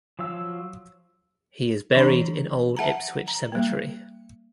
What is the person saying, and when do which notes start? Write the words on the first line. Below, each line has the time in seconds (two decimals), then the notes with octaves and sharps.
He is buried in Old Ipswich Cemetery.
0.19 F3 F#3 F5 E6
1.95 E3 D4 D5 A#5
2.77 E5 F#5 A5 A#5
3.28 A#5
3.52 G3 A#3